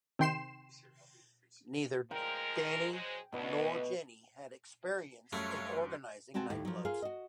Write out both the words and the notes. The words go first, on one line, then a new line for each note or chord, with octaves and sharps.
Neither Danny nor Jenni had experience in organising nightclubs.
C3 D#3 G5 C6 C7 E7
F3 G#3 A#4 G5
F#3 G#3 C5
D2 B2 D#5
F#2 G3 A3 C#5 F5
G#3 C4 F#4 G#5 A5
D#2 A2
F3 F#3
F4 G#4 A#4 F5
F#4 D#5